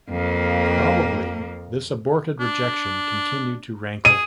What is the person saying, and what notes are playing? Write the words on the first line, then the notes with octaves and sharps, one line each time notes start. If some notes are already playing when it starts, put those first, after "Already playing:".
Probably this aborted rejection continued to rankle.
F2 A#3
D4
G#4 D#7